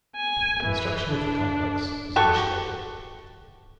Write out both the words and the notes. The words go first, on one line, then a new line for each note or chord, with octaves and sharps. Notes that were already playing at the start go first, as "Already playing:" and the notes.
Construction of the complex was initiated.
G#5
E3
D4
F#4 G4 A4 C#6